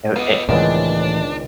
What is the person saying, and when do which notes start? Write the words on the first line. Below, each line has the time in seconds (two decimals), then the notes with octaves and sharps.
Er, it
0.16 B3 F4 D#5
0.49 C#2 A2 D#3 E3 B3 C4 D4